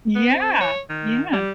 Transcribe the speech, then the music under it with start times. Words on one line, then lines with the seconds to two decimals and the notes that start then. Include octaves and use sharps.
Yeah. Yeah.
0.15 B3
0.32 C4
0.61 C#5
0.89 D#3
1.33 G3